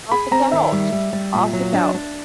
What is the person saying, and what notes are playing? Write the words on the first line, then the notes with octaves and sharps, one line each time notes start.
Off the couch. Off the couch.
G#4 B5
C4 A#5
D#3 E5
G3
G3
G3
A#2
F#3
D4
D4